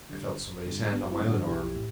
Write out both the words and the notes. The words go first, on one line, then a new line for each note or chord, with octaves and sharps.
I felt somebody's hand on my own arm.
D3 G3
G1
G2 D3 G3
G1 B3 D4
F#4
C4 E4
G2 D3 G3
D4 F#4
B1 E4 G4
A2